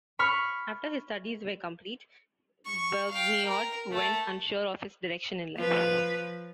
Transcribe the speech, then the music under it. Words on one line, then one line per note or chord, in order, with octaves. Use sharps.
After his studies were complete, Vergniaud went unsure of his direction in life.
B5 C#6 F6
C#6
F5 G5
A#4
A3 A5
F3 B4